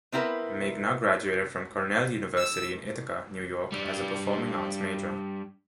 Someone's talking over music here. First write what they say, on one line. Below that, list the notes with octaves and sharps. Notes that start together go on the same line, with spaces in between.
Megna graduated from Cornell University in Ithaca, New York, as a performing arts major.
B3 C4 E4 A#4 B4
E6
G3 D4